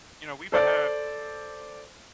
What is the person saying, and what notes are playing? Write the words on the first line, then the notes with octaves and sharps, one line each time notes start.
you know, we've, uh, had
A4 C5 D5